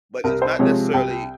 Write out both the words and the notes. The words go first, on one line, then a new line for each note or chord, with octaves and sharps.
but it's not necessarily,
C2 A#4
C5
C3 F3 G#3 C4 C#5
C2 G5